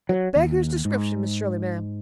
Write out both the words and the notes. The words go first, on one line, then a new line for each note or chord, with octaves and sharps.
It beggars description, Miss Shirley, ma'am.
F#3
D#2
G#2